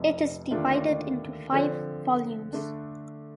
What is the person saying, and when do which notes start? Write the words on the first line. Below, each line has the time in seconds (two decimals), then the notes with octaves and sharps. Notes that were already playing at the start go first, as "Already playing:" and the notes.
It is divided into five volumes.
Already playing: F1 F2 C3
0.51 D#2 D3 A3 D4 F4
1.52 D3 F3 C4
2.53 D3 A3 D4